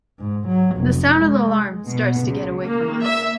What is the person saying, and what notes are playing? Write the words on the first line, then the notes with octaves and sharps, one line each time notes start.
The sound of the alarm starts to get away from us.
G#2
F#3
F1
G#3
B2
C#2
A#3
E5